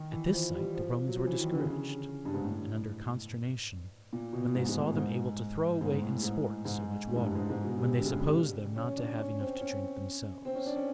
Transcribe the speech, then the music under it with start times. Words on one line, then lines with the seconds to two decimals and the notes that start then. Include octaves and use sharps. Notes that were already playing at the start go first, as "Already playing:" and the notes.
At this sight the Romans were discouraged, and under consternation, when they saw them able to throw away in sport so much water, when they supposed them not to have enough to drink themselves.
Already playing: D#3
0.12 E3
0.33 F3
0.54 G3
0.75 F3
1.08 F#3
1.17 F3
1.27 E3
1.39 D#3
1.54 D3
1.59 C#3
2.25 G2
2.34 G#2
2.44 A2
4.13 A#2
4.33 B2
4.55 G#2
4.69 G#2
4.83 A2
4.97 G#2
5.81 G#2
5.91 G#2
6.02 A2
6.13 A2
6.23 G#2
6.65 G#2
7.07 A2
7.16 G#2
7.21 G2
7.35 G#2
7.50 G#2
7.64 B2
7.78 C3
7.92 C3
8.00 D3
8.06 C#3
8.20 G3
8.76 C#4
8.97 D4
9.18 C#4
9.40 C4
9.60 C#4
10.45 C4
10.55 C#4
10.66 D4
10.76 C#4